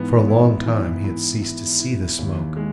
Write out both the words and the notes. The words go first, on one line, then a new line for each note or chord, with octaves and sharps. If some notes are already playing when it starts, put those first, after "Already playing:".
For a long time he had ceased to see the smoke.
Already playing: G#2 E3 B3
E4
E3
E4
E4
E4
D#2
G#3